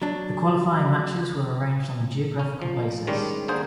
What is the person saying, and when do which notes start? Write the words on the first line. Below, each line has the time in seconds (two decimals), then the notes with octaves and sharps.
The qualifying matches were arranged on a geographical basis.
0.02 F#3 D4
2.39 C#4
2.62 F3
3.07 D#3 G3 G#3 C#4 D4
3.48 D3 A#3 G#4 C5